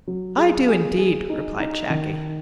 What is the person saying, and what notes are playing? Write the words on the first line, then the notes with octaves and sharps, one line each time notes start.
"I do, indeed," replied Shaggy.
F#3
G#4
G#4
G#4
D#4
D#4
D#3